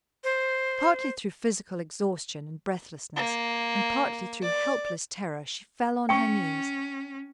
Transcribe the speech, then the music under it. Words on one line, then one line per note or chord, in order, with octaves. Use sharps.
Partly through physical exhaustion and breathlessness, and partly through helpless terror, she fell on her knees.
C5
A#3
D5
C#4 G5 C#6